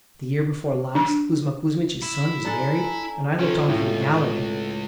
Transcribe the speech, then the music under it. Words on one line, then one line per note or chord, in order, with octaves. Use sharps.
The year before last, Kuzma Kuzmitch's son was married and I looked on from the gallery.
D4
E4
D4 A4 G#5 A#5
C3 F3 C4 C#4 F4 A4
C#2 A2